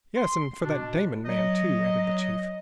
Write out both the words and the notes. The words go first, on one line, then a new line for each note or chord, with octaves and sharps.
"Yes, and for that Damon man, too," added the chief.
C6
B2 D4
F#3 D#5